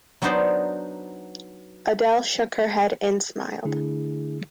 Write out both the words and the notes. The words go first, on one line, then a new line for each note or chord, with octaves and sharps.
Adele shook her head and smiled.
F#3 B3 D4 D#4 C5 D5
D3 A3 D4 E4 G#4